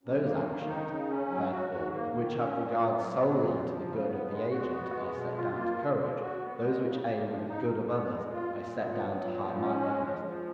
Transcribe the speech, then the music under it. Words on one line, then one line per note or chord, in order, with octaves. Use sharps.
Those actions, therefore, which have regard solely to the good of the agent I set down to courage, those which aim at the good of others I set down to highmindedness.
F#2
A#3
D#3
D#4
C#3
C#4
F#3
F#4
G#2
A#3
D#3
C#4
A#2
B3
F#3
A#2
F2
F3
C#3
B3
G#3
F#4
B3
G#3
B2
F4
A#3
B2
G#3
F#4
B3
G#3
C#3
A#3
F3
D#4
B2
B3
G#3
F4
A#2
B3
F#3
A#2
F3
C#4
G#3
F3
F3